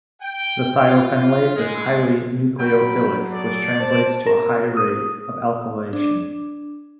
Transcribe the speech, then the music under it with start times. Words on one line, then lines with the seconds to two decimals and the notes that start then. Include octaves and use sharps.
The thiophenolate is highly nucleophilic, which translates to a high rate of alkylation.
0.22 G5
0.86 F4
1.56 G#3
2.59 F#3 G5 B5
3.32 G#4 A4 D5
3.80 C5 A5
4.26 A#4
4.77 D#6
5.93 D4